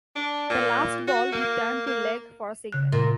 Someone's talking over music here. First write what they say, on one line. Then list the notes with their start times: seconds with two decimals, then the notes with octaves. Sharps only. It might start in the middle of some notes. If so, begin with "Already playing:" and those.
The last ball he turned to leg for a single.
0.16 D4
0.50 A#2
1.08 F#4
1.33 A#3
1.87 A#3
2.72 C#3 F#6
2.92 A#2